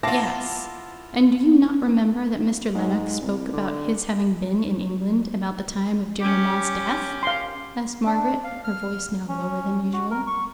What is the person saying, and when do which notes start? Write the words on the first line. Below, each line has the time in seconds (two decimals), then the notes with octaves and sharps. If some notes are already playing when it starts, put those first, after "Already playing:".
'Yes--and do you not remember that Mr. Lennox spoke about his having been in England about the time of dear mamma's death?' asked Margaret, her voice now lower than usual.
0.03 E4 F4 F5 F#5 A5 D6 A#6
2.75 G#2
3.21 C2
3.53 D3
6.20 C#4 G4
7.23 F5 C6
8.06 D4
8.44 F5
8.64 F6
9.28 C#4
9.93 F#4
10.11 A#4
10.27 C#6